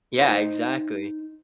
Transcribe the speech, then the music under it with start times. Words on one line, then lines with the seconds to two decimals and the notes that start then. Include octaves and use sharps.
Yeah, exactly.
0.19 D#4 C5